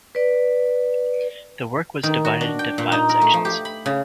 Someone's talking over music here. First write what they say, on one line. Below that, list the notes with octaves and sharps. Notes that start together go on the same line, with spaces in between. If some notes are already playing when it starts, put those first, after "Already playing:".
The work was divided into five sections.
B4 D5
D#3
F#4
D4
G5
A#2
D#4
A#4
A3
F3
G4
B5
C#3